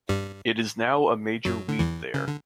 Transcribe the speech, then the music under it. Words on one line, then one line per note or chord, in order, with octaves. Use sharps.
It is now a major weed there.
G2 G3
F#2 F#3
D3
E2 E3
C#3
D3